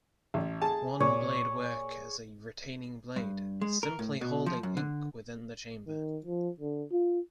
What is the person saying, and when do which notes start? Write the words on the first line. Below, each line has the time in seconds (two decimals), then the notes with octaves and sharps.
One blade work as a retaining blade, simply holding ink within the chamber.
0.34 A1
0.62 G#4 A5
1.00 A#2 C#5
3.16 G2
3.61 G#3
3.83 A#4
3.99 A2
4.21 B2
4.46 F3
4.63 F#2
4.77 D3
5.87 D#3
6.24 F3
6.60 D3
6.92 F4